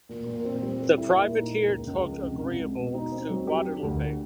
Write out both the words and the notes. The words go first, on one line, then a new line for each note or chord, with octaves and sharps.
The privateer took "Agreeable" to Guadeloupe.
A#2
A#2
C4
G3
A4
E4
A#2
D#4
A#3
C#2
C#2
F3
C2
C2
G#3
B2
D#4
C4
F#3
G4
D4
D2